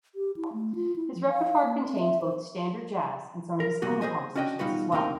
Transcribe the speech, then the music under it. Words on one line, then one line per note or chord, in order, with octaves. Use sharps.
His repertoire contains both Standard Jazz and some of his own compositions as well.
G4
E4
A3
F4
E4
F3
F5
A#3
C4
E5
C5
A#4
C3 G3 B3 F#4 G#4
G#4 B4 C5 D#5 G#5
C#4 D4 F#4 D#5 F#5 G5
B2 G3 D#4 F4 F#4 B4
D2 C3 A#3 D#4 F5 G5